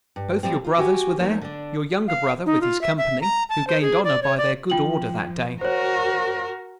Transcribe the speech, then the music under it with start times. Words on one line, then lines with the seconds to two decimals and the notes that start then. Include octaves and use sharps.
Both your brothers were there; your younger brother with his company, who gained honor by their good order that day.
0.16 G2
0.43 F3 G3 C4
0.64 F4
0.77 F#4 G4 G#5
1.19 E2 F3 A#3 D#4 C#5
1.41 D3 D4
2.08 F5
2.46 D#4
2.61 F4
2.81 E5
2.98 E5
3.21 A#5
3.49 A5
3.67 C5
3.81 G#4
4.04 D5
4.23 C#5
4.38 D5
4.70 F3 F4 G5 F#7
5.61 F#4 A#4 C5 C#5